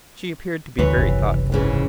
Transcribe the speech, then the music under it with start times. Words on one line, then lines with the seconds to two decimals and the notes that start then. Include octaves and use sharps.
She appeared to be very thoughtful.
0.78 D2 E3 B4 C#5
0.97 F#1 C2
1.52 G#2 C#3 E3